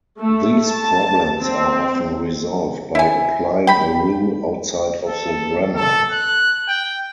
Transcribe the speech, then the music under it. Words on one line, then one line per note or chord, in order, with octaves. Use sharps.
These problems are often resolved by applying a rule outside of the grammar.
A3
A5
C4
E4 G#5
G5 B5
A4
A4
F#6
G5